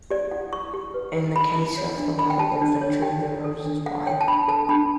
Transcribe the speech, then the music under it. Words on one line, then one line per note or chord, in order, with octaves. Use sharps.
In the case of the Light Infantry, the rose is white.
G4 D5
E4 F#5
E4 C#6
G4
B4
B4
G4 B5
E4
C#5
D4
D4 B5
G5
G4 A5
D4
C#5
G4 G5
C#5
A4
D4
A4 F#5
C#5 G5
A5
D4 B5
A4 A5
D4 B5